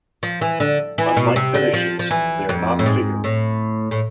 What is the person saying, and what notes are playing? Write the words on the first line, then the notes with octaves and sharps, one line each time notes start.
Unlike fetishes they are not figural.
F3
E3
D3
E3
B2
C3
D3
F3
F3
E3
F2
A2
G#2
A2
A2